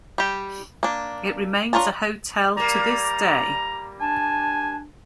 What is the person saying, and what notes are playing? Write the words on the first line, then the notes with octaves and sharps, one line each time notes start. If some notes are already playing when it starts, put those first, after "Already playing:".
It remains a hotel to this day.
G3 G4
A#3 D4
D4 F4 A#4 C#5 A5
G3 A#3 D5 A#5
D4 G#5 A5